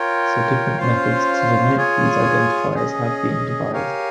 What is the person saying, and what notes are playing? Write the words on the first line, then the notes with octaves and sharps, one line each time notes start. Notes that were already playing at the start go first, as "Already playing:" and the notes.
So different methods to denote these identifiers have been devised.
Already playing: F4 A#4 C#5 G5
C#4 F4 C5 F5
F4 G#4 C#5 G#5
C#4 G#4 D#5
G4 A#4 C#5 F5 G#5